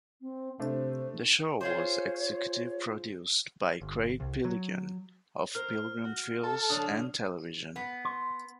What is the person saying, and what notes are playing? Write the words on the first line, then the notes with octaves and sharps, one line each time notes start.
The show was executive produced by Craig Piligian of Pilgrim Films and Television.
C4
C3 A3 D4 C5
F4 G#4 C5 C#5
G1
C2
F#3
A#4 C5 F6
F#4
A4
D3 F#3 D4 D#6
B3
C6